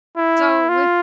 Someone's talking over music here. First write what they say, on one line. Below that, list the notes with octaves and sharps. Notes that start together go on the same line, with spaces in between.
So with
E4
F4